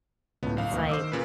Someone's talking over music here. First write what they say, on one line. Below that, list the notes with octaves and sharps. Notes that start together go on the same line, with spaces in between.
It's, like,
C#2 A2 B3
B1 F5
D2 D#3 A#3
D#3 C5 D6 E6
A#2 C#3 B4